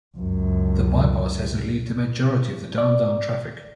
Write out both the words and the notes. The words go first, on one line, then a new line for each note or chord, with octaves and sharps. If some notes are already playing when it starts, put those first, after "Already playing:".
The bypass has relieved a majority of the downtown traffic.
C#2 F#2
D5